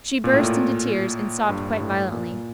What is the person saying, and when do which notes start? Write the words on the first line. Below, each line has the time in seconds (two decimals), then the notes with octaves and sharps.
She burst into tears, and sobbed quite violently.
0.24 A#2
0.33 A2
0.43 A#2
1.49 G2
1.74 G2
1.80 A2
2.12 A#2